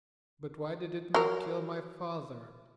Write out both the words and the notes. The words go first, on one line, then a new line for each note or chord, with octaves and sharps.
"But why did it not kill my father?"
F#3 A#4